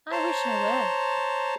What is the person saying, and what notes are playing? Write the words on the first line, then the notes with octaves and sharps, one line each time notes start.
I wish I were.
C5 C#5 A5 A#5 C6